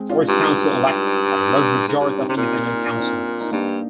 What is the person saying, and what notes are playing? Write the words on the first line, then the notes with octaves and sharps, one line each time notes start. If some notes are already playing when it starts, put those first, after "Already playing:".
The first council elected had a large majority of independent councillors.
Already playing: G#3 C4
D4 F4
F4
G2 D#4 G4
F4
G4
D4 F4
G#2
G2 D#4 G4
C4 D#4
C3
A#2 C4 D#4
F4
D#4
D4
C4 D#4
D#4
G2 A#3 D4